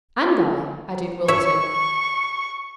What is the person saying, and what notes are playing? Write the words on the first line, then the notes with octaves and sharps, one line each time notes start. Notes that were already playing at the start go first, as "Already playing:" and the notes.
"And I," added Wilton.
C#5 E5 C#6